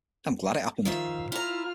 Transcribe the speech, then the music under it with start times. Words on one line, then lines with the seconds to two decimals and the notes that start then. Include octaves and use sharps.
I'm glad it happened.
0.85 D#3 F3 E5 F5
1.32 E4 F4 A#5 F6